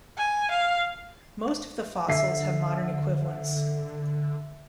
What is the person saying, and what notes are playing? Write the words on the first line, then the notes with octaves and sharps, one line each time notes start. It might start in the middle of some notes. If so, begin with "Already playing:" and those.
Most of the fossils have modern equivalents.
G#5
F5
D3 E5 C7